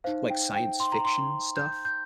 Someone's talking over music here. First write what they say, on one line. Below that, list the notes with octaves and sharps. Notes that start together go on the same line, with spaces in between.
like, science fiction stuff?
D#4 C5 F5
G5
G5
C6
A#5
C6
G6
G6